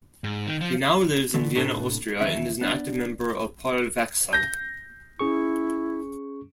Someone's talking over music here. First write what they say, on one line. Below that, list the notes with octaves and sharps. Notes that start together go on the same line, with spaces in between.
He now lives in Vienna, Austria and is an active member of Polwechsel.
G#2
D#3
F3
D3 E3 A3
A2 C3 D4 F#4 A4 A5
D#2 E3 C#4 E5
B3 D4
G6 A#6
C#4 E4 G#4 C#6